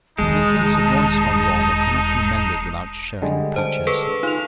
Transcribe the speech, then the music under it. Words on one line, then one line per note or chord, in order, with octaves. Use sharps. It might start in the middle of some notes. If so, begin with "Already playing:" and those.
When things have once gone wrong they cannot be mended without showing the patches.
E1 D#3 G#3 D#4 A5 D#6
D3 G3 G#3
C5 A5
G#4 A4 B4
D#4 F4 F7